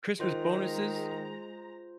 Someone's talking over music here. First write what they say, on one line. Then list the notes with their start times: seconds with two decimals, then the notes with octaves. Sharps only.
Christmas bonuses.
0.20 D#3 G#3 F4 C5 A#5